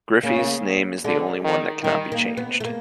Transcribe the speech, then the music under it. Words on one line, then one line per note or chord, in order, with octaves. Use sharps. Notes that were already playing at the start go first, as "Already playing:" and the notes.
Griffey's name is the only one that cannot be changed.
C#3 A#3
D3 G#3
D#3
D#3 G3
A#3
B3
A3
A#3